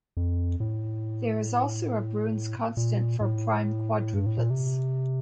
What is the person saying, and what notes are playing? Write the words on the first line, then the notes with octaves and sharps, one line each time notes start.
There is also a Brun's constant for prime quadruplets.
F2
A2
A#2
A2
G2
A2
A#2
C3